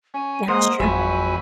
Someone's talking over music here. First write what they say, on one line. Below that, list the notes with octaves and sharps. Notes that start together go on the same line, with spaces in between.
Yeah, it's true.
C#4 G#5
G#3 A#3 C5 F#5 D#6
G#1 F2 F#3 C#5 E5 G#5 B5